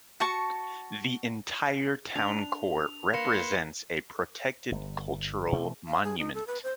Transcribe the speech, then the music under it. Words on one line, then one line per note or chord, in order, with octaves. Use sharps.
The entire town core represents a protected cultural monument.
F#4 A5 C#6
D4 F7
A#3 B4 C6 C#7 E7
G1
B2 E3 A3 C4
F5
G#4
D#4
A4
B4
C5